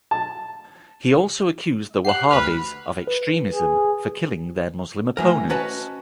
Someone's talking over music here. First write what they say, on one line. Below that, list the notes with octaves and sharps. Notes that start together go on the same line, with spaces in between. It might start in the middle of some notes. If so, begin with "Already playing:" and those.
He also accused the Wahhabis of extremism for killing their Muslim opponents.
A5
G4 F#5 F#6 C7
D2 B4 B5 F6 F#6
B4
G#4
A2 E3 A#4
C#4 F#4 B4 D#5 A5